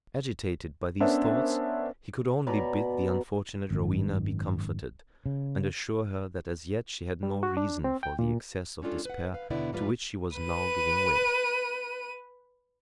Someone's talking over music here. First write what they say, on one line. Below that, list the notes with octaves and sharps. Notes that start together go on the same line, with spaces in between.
Agitated by these thoughts, he could only bid the unfortunate Rowena be comforted, and assure her, that as yet she had no reason for the excess of despair to which she was now giving way.
B3 C#4 D4 A#4 C5 E5
B2 D5 A#5 B5
G#1 F#2 D#3
C#3
G3
F#4
D4
C4
G5
A#2
G3 C#4 D4 F4 A4
B4 F#5
B4 F5
D#2 B2 D3 B3 E4 D5
G#2 E3 F#3 G3 F4 B4
B4 D#7